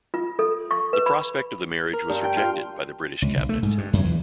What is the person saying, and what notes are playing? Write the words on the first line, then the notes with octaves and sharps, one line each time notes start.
The prospect of the marriage was rejected by the British Cabinet.
F4
A4
C#6
B4
B5
A#4
G2
G5
F4
C#2
B1
A3
G#2
G2
F#2
E2